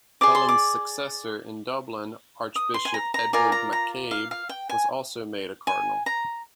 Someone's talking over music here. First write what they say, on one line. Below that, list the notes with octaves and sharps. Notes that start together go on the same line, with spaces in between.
Cullen's successor in Dublin, Archbishop Edward MacCabe was also made a cardinal.
G#4 D5 D6
C6
D6
D#6
C6
G#5
A#5
A#5
F4 A#4 D5 G#5
A#5
A#5
F5
F5
G5
G#5
G#5
A#5